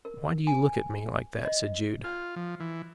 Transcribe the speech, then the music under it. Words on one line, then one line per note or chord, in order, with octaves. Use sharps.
"Why do you look at me like that?" said Jude.
A#4
G#5
D#5
F4
F3
E3